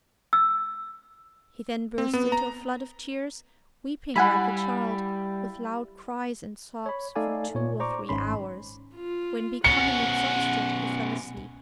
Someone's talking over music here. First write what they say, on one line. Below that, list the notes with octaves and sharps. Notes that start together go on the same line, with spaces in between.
He then burst into a flood of tears, weeping like a child, with loud cries and sobs, for two or three hours, when becoming exhausted, he fell asleep.
E6
C4
B3
A#5
G3 E4 F5 F#5 G#5 B5
C#5 B5
A3 D#4 A4 D5 F5 G#5
A#2 C#5
C5 D5 A#5 C#6 D6
G#1 G#2 C#4 B5 C6
F4
B2 C#4 F#5 C#7